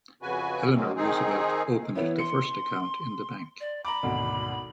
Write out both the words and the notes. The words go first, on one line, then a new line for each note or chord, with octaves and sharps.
Eleanor Roosevelt opened the first account in the bank.
F2 C#3 F#4 B4 G#5
D#3 F#3 G#3 A#3 C4
D#3 C4 D#4 G#4
E3 B3 E4 C#5
C6 C#7
D5
A#5 B5 D6
G#1 D2 B2